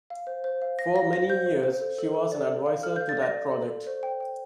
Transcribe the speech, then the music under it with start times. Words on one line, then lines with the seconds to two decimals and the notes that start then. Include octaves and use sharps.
For many years, she was an adviser to that project.
0.10 F5
0.27 C5
0.44 C5
0.62 F5
0.79 F5 A#6
0.95 F5 A#6
1.13 C5 A#6
1.29 C5 G6
1.46 C5
1.63 C5
1.81 A4
1.98 A4
2.15 A4
2.32 D5
2.49 A4
2.66 F5
2.83 A4 F6
2.96 G6
3.01 F5
3.09 A6
3.17 D5
3.22 A#6
3.34 D5
3.52 A4
3.69 A4
3.87 C5
4.03 G5
4.20 G5